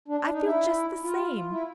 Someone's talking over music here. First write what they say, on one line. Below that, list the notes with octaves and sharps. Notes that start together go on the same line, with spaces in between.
I feel just the same.
D4
D4
D#4
E4
F4
E4